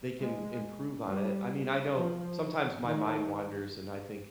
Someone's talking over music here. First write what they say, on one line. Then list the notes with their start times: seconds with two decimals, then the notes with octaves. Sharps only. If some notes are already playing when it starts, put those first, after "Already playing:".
they can improve on it. I mean, I know sometimes my mind wanders, and I think
0.20 G#3
1.08 G3
1.95 F3
2.83 D#3